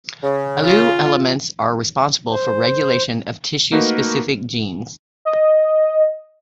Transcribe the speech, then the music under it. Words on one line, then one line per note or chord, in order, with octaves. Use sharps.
"Alu" elements are responsible for regulation of tissue-specific genes.
C#3
F4
C5
A3 A#3 D#4 F#4 A#4 B4
D#5